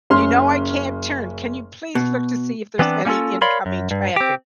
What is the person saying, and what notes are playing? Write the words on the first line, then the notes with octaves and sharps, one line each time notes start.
you know I can't turn, can you please look to see if there's any incoming traffic?"
F#1 C#4 C6 F6
B2
E3 B3 C4 D4
G3 A#3 C#4 D4 F4 A4
A#4 C#5 D5 F5 B5 C6
F#2
G2
C4 G4